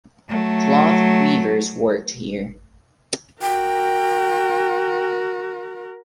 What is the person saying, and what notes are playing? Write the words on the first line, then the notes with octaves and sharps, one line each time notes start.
Cloth weavers worked here.
F#3 A3
F#4 A#4 G5